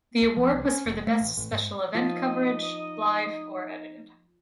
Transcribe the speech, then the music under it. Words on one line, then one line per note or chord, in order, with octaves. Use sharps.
The award was for the best special event coverage, live or edited.
C#2
F3
C2
C#4
F1
A3
A1
A1
G#2
F3 D#4 D#5